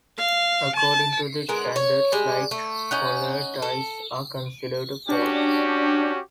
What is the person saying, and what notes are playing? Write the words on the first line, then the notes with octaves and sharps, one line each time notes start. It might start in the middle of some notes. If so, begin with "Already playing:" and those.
According to the standards, light-colored eyes are considered a fault.
F5
A5
D3 G#3 B3 A#4
C#5
G3 G#3
A3
C#4 D#4 F#5
A4
C#4 D4 F#4 G4